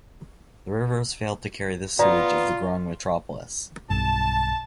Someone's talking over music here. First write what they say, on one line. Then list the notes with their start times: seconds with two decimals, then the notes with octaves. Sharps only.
The rivers failed to carry the sewage of the growing metropolis.
1.99 B3 F4 D5 A#5
3.90 B1 G2 A5